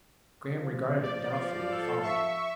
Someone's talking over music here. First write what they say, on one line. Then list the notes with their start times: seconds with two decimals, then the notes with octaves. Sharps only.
Graham regarded him doubtfully and followed him.
0.54 F3
1.03 D5
1.33 F5
1.71 A4
2.03 E5 C#6